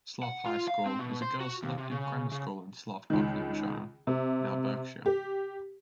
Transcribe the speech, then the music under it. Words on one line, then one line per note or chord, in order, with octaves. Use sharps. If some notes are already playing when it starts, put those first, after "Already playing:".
Slough High School was a girls selective grammar school in Slough, Buckinghamshire, now Berkshire.
F#5
F4
F5
C4
B2
C5
F#4
D#2
C3
C#3
C#3
C#2 D#3
C3
G4